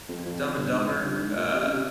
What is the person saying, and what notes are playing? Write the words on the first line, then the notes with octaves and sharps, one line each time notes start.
Dumb and Dumber? Uh
F2
F2
F2
G2
G#2
F2
G2
G#2
A#2
C3
C#3
C3